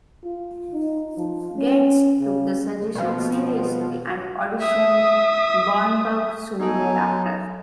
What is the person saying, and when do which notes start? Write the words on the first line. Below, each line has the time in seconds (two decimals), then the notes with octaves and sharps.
Getz took the suggestion seriously, and auditioned Bromberg soon thereafter.
0.24 F4
0.74 D#4
1.17 F3
1.57 C#4
2.19 C#3
2.95 B2 F3
4.61 E5 D#6
6.60 F#3 B3 D#4 A4 G#5 A5